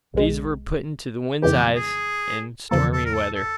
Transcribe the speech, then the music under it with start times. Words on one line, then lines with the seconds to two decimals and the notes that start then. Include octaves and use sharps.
These were put into the wind's-eyes in stormy weather.
0.14 B1 B2 G#3
1.42 F2 C#3 E3 G#3 B3 G4
1.75 G#4
2.71 E2 C#3 F3 A#3 A4
2.93 A4
3.06 A#4
3.14 A4
3.36 A4